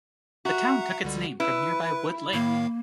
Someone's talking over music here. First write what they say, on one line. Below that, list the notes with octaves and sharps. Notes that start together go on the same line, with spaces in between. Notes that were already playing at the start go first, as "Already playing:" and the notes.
The town took its name from nearby Wood Lake.
F#4 E5 F#5 A#5
C#2 D3 G3
E4 B4
A2 D#3 A#3 F5